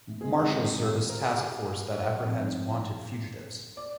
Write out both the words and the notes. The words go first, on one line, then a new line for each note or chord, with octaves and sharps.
Marshals Service task force that apprehends wanted fugitives.
G#2 D#3 G#3 C4 G#4
G4
F4
A#4
G#4
G4
G#4
A#2 F3 C4
D5